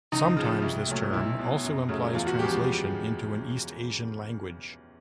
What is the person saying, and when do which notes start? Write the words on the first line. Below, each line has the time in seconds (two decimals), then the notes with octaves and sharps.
Sometimes this term also implies translation into an East Asian language.
0.12 C#2 D#4
0.37 C#3 F3
0.62 C2
0.87 A#2 F#3 A3
1.12 B1 E4
1.39 B2 F#3
1.64 F#2
1.89 C#3 F#3 A3
2.13 E2 F4
2.27 F#4
2.39 G#3 G4
2.42 C#3 F3